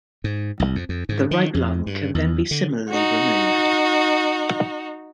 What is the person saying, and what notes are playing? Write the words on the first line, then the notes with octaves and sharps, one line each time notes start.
The right lung can then be similarly removed.
G#2
C2
F2
F2
G#2
D#3
F2
G2
E2
D3
D#4 F#4